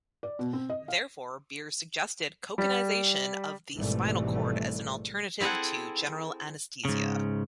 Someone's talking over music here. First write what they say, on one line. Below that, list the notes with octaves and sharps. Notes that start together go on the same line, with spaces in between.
Therefore, Bier suggested "cocainization" of the spinal cord as an alternative to general anesthesia.
D5
B2
C4
D#5
F5
G3
G#1 G#2 B2 E3 G3 A3
C4 E4 G#4 A4 F#5
G#2 C#3